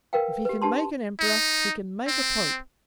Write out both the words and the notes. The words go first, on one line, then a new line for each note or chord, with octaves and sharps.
If he can make an emperor, he can make a pope.
A#4 B4 F5 G5
G4 B4
D4 G4 A5 C6
D#4
C4